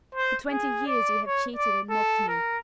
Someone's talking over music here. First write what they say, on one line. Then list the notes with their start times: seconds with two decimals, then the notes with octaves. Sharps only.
For twenty years you have cheated and mocked me.
0.15 C5
0.49 G#4
0.87 D5
1.26 C#5
1.56 D5
1.90 A4
2.28 A#4